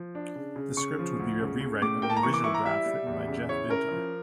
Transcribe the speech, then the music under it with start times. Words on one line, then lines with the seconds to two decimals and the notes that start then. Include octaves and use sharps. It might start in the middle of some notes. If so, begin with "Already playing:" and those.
The script would be a rewrite of the original draft written by Jeff Vintar.
Already playing: F3
0.15 D4
0.35 C#3
0.56 C#3
0.77 C#3 C#6
0.99 F3
1.19 D2
1.40 C#3
1.61 C#3
1.82 A2 D6
2.02 A#3 G5
2.10 A5
2.16 A#5
2.23 E3 C#6
2.34 D6
2.44 E4 C#6
2.54 A#5
2.65 G3 E5
2.86 G3
3.07 E2
3.28 C#3
3.49 E4 C#5
3.69 C#4 A#4
3.91 F3